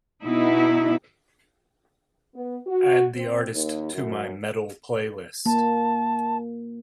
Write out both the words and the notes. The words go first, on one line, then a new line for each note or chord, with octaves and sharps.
Add the artist to my Metal playlist.
B2 D#4 E4
B3
F#4
C4
D#2
F#2
A#3 A5